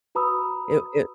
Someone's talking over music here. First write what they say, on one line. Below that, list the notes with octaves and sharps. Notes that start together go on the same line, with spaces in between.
It it
F#4 B4 A#5 B5 D#6 E6